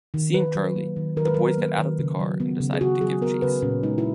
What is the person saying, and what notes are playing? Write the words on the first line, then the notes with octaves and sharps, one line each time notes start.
Seeing Charlie, the boys got out of the car and decided to give chase.
D#3
D#3 B4
F#3
A#3
D#3
D#3 A#4
B4
F#3 A#4
A#3
D#3
C#3
F#3
B3
C#3
G#4
C#3 F#4
F#3 G#4
B3 A#4
C#3 B4
A#2 C#4
G#3 D#4
E4